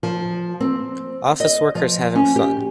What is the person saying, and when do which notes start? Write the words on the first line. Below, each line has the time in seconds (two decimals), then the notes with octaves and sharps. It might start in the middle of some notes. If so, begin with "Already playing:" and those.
Office workers having fun.
0.03 F3
0.60 C4
1.40 D#5
1.75 F3
2.15 C#4
2.36 G4